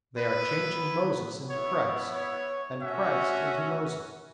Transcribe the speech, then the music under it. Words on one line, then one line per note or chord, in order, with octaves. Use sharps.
They are changing Moses into Christ, and Christ into Moses.
B3 E4 B4
B3 E4 C#5
C#5
A3 C#4 F#4 E5